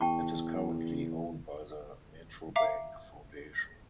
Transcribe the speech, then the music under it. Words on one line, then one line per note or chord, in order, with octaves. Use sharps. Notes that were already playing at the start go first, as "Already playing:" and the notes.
It is currently owned by the Metrobank Foundation.
E2 G5 A5 C#6
E5 F5 A#5 D6 C7